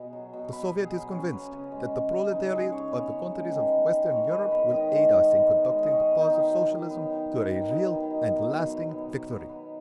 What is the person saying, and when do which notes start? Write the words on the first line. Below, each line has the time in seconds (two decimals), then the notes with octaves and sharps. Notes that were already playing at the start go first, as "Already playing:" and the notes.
The Soviet is convinced that the proletariat of the countries of Western Europe will aid us in conducting the cause of Socialism to a real and lasting victory.
Already playing: B2 B3 G#4
0.13 F#3
0.33 B2
0.53 B3 B4
0.72 B2
0.82 G#4
0.93 F#3
1.12 C#3 C#4
1.33 B3
1.52 C#3
1.72 G#3
1.92 C#3
2.13 B3
2.32 C#3 D#4
2.51 G#3 G#4
2.72 C#3 C#5
2.92 B3
3.12 C#3
3.32 G#3
3.51 D#3
3.72 B3
3.92 D#3
4.11 G#3 C#5
4.31 D#3 B4
4.51 B3 B4
4.71 D#3 D#5
4.91 G#3 C#5
5.10 D#3 D#5
5.32 B3
5.51 D#3
5.71 G#3
5.83 D#5
5.90 D#3 C#5
6.11 B3
6.20 D#4
6.30 D#3
6.50 F#3
6.70 D#3
6.90 B3
7.10 D#3
7.31 F#3
7.50 D#3
7.70 B3 D#4
7.90 D#3
8.10 F#3
8.29 B2
8.49 B2
8.70 B3
8.89 B3
9.09 B2
9.30 B2
9.49 B3